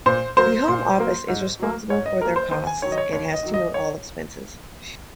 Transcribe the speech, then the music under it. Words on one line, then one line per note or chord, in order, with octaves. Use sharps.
The Home Office is responsible for their costs, and has to note all expenses.
A#2 C5
F#3 A#3 C5
A#2
F#3 A#3
G#2
F#3 A#3
G#2 C#5
D#5
F#3 A#3 A#4
C5
D#2 C5
G#5
D#3 F#3 C#5
D#5
C#5
D#2 C#5
D#5
D#3 F#3
D#5
C#5